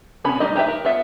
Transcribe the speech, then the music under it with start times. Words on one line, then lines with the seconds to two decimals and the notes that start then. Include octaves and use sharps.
you know,
0.24 B3 C#4 B5
0.40 G3 D#4 D#5
0.55 D#4 G4 B4 E5
0.68 A#4
0.85 B3 F4 E5